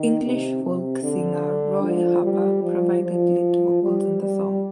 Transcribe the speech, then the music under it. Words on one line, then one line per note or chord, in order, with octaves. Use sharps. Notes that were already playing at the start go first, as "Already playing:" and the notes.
English folk singer Roy Harper provided lead vocals on the song.
Already playing: D#3
C3
C3
D3
F3
G3
F3
F3
G3
G3